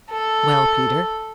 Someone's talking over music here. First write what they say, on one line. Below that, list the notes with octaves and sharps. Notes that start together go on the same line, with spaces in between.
"Well, Peter?"
A4